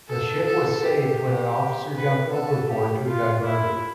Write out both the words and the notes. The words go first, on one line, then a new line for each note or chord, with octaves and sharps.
The ship was saved when an officer jumped overboard to divert it.
A4
A4
G4
B4
A4
G4
F4
E4